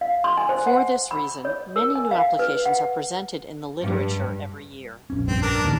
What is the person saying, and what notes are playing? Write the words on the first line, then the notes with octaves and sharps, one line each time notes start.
For this reason, many new applications are presented in the literature every year.
F5
C6
G#5
C5
F#5
B5
C#5
A#4
G#5
F5
B4
F#5
G2
A#1 F2 C#4
G2 C4
D4 A#4
E2 A#2 D3 D#3 G3